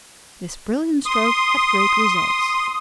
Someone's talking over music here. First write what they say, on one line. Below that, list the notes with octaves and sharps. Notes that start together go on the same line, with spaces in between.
This brilliant stroke had great results.
C6 D#6